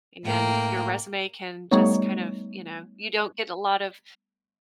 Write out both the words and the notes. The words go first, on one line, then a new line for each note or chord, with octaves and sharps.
and your resume can just kind of, you know you don't get a lot of
A2 A#3 G5
G3 A3 B3 D#4 C#5